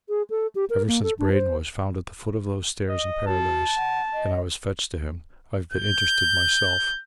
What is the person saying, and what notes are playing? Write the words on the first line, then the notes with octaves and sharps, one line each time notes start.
Ever since Braden was found at the foot of those stairs in Paradise, and I was fetched to him, I've interested myself.
G#4
A4
G4
A#4
A#3
A4
D4
C5
D#5
F#4 A5
F#5
D#5
G6